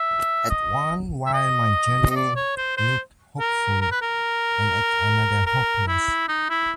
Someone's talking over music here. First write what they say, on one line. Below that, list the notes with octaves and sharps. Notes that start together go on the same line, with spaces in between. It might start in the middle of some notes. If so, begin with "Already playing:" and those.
At one while my journey looked hopeful, and at another hopeless.
Already playing: E5
D#5
E5
D#5
D#5
D5
C#5
C5
C5
A#4
A#4
B4
A#4
A#4
E4
D#4
E4